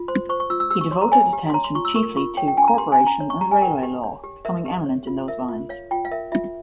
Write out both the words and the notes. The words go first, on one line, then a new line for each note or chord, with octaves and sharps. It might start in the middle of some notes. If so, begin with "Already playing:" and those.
He devoted attention chiefly to corporation and railway law, becoming eminent in those lines.
Already playing: F4
C5 C6
C5 C#6
C#6
F4 E6
E6
G4 E6
C#6
C#5 C6
A#5
C#5 G#5
G4
C6
C#5 A#5
C6
F4 C#6
E6
A#4 C#6
F4 C#6
C#5 G5
G5
C#4 G#5
A#5
G4 C6
G#5
C#4
A#5
C#5
C#6
G4 A#5
G#5
A#4 G5
G4
C#5
G4
A#4 E5
G4
C#5
F4
A#4 E5
F4
C#5 F5
F4 G5
F5
A#4 E5
F4 E5